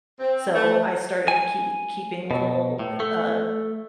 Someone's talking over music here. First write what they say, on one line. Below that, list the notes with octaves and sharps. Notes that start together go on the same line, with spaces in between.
so I started keeti keeping little, eh, uh,
C4
A3
G#5
B2
A2
A3